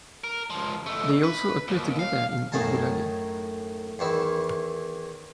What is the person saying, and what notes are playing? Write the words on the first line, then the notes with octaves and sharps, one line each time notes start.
They also appeared together in Eat Bulaga!
A#4
C#2 F3
B2 A3
B4
D#2
F5
F#2 A2 D#4 G#5 A5
E2 D#3 E4